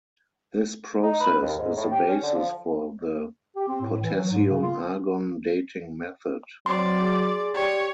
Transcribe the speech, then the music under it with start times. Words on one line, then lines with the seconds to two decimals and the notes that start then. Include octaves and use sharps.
This process is the basis for the potassium-argon dating method.
1.03 D#4
1.20 B4
1.42 D#2
1.58 G#2
1.76 A2
1.91 G4
2.08 C#4
2.23 D3
2.35 F3
3.56 G4
3.68 C4
3.81 A2
4.03 E3
4.18 F#3
4.31 G#2
4.50 C#3
4.62 F4
6.66 F#3 C4 D5 C6
7.01 G#4
7.54 G4 C#5 D5